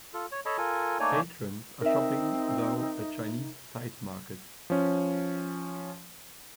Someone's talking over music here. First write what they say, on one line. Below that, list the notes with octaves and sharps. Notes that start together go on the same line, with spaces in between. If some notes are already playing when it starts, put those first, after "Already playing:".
Patrons are shopping though a Chinese side market.
F4 A4
C#5
A4 C#5 D#5 A5 B5
F4 A4 A#4 G#5
A3 A#3 D#4 C#5 D5 G#5
C4 D#4 A#4 E5
F3 C#4